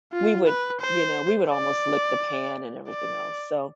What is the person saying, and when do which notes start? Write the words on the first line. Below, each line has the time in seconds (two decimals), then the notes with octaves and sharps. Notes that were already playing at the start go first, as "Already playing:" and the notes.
we would, you know we would almost lick the pan and everything else, so
0.13 F4
0.47 B4
0.81 C5
1.51 D5
2.89 D5